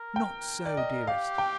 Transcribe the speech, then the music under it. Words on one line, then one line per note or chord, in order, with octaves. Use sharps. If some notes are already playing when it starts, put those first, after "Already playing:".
'Not so, dearest.
Already playing: A#4
G5
D5
D#5
G4 F5
G5